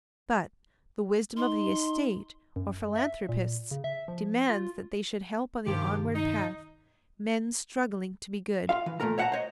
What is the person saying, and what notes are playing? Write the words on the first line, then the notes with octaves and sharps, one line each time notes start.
But the wisdom of the Estate or philanthropists demands that they should help on the onward path, men struggling to be good.
D#4 C6
F#2
E5
A#2
C#3
E5
F3
F4
G2 C3 D#3 F3 A#3 G4
D#4
F4 F5
E3
A#2 A3 A#4 A#5
C#5 E5 F#5 G5 A5 A#5
C5 C#5 D#5